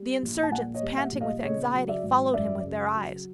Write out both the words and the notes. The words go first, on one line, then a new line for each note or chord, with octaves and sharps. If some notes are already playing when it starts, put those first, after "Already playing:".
The insurgents, panting with anxiety, followed him with their eyes.
Already playing: G3
A#1
A5
A#2 F#5 G#5
C#5 D#5
G3
E5 F#5
A#1
D#5 F5
C#3 C#5 D#5
F#3
D5 E5
G#1
F#2 D5 E5
C#3
F#3